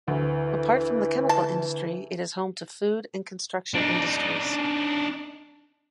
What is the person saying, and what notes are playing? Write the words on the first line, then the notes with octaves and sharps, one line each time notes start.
Apart from the chemical industry it is home to food and construction industries.
D2 E3
A5
D4 D#4